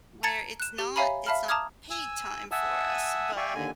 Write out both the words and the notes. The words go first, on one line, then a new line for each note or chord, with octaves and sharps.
Where it's not it's not paid time for us, but,
A5 A#5 G#6 A6 C#7 E7
F#6 E7
G4 G7
C#5 E5 F5 G#5 A#5 B5
E5 F5 A5 B5 F6
A5 A#5 D6 D#6 F6 G#6
G#5 E6
E5 F#5 G#5 A5 D#6 E6
D5 E5 F5 G5 G#5 C#6
D#2 D3 G#5